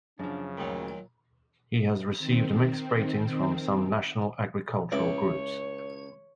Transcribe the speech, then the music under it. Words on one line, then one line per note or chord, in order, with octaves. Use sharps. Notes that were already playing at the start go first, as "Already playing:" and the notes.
He has received mixed ratings from some national agricultural groups.
F#2 C#3 F3 D4
D2 A#2 D#3 F#3
D#3 C4
C#2 E4 C#5 D6